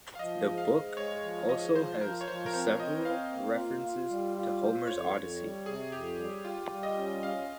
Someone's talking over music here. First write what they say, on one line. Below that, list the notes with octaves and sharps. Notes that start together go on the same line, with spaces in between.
The book also has several references to Homer's "Odyssey".
F5
F3 D#5
G#2
F5
G#2
G#3 C#5
F3
G#2 D#5
F3 C5
F3 A#4
C#5
F3 C5
A#4
C4 C5
C4 D#5
C4 F5
A#3
F4
F4
G3
F4
C5
F2 C#5
F2
G3
C3 G#4
F2 G4
G3
F4 G4
G3
D#5
C#4
C#4 F5